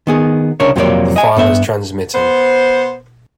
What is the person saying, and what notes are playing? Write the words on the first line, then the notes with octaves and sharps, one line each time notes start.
The file is transmitting.
D#3 B3 G#4
C2 C#3 D4 A#4 C#5
F2 C3 F#3 A#3 C#5 D5
D#5 G#5
G2 B3 E5
B3 C5